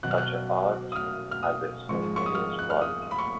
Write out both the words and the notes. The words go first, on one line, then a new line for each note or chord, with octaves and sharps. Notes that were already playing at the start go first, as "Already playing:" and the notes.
Such art has a spontaneous quality.
B2 F#3 F#6
F6
F#6
D#6
F6
F6
D#6
G#2 F3 G#3 C#6
C#6
D#6
F6
F#6
F6
D#6
B5
C#6